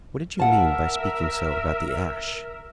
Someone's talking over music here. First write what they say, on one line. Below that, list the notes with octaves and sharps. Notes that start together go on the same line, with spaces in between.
"What did you mean by speaking so about the Ash?"
A#4 E5 F#5 A5